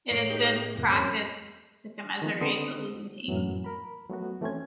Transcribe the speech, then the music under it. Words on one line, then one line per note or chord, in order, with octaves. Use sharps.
It is good practice to commiserate the losing team.
A2 A3 A#3 C#5 C7 D7 F7
D#4 G4 G#4 G7
E2 G#2 C3 A#4
F#3 C4 C#4
D#3 F3 B3
D3 B3 C4 A4 C5 D#6
F#2 A2 E3 F#3
A#4 B5
F#3 A3 B3 F#4
E3 A3 C4 C#4 G#6